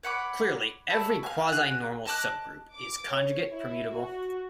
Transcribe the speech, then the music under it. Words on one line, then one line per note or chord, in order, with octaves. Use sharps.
Clearly, every quasinormal subgroup is conjugate-permutable.
C#5 F#5 B5 D6
C#5 E5 A5 B5
F5 G#5
F#4 G#4 F#6
D#5 A5 D6 F#6
D6
C#5
E4
F#4